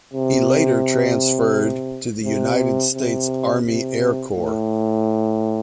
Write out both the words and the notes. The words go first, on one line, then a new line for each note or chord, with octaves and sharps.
He later transferred to the United States Army Air Corps.
C3
C3
C3
C3
A2